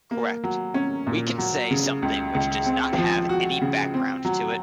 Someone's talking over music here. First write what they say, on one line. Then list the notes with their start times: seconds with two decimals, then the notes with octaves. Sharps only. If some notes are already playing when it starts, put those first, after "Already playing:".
Correct. We can say something which does not have any background to it.
0.11 A#3
0.44 F#3
0.74 C#4
1.07 A#2
1.38 F#3
1.71 C#3
2.02 C#2
2.35 C#2
2.66 C4
2.98 F3
3.29 F#4
3.62 C#3
3.94 C4
4.25 F#3